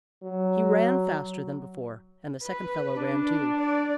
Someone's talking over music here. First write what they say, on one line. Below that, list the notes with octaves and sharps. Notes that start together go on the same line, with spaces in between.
He ran faster than before, and the second fellow ran too.
F#3
B4
D4
D5
D5